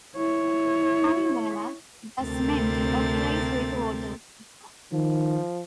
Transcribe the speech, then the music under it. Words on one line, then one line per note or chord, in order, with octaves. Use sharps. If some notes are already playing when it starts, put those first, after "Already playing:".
"Pani wala" thus meant "a place with water".
E4 C#5
D2 C3 A3 C4 A#4 A6
D#3 F3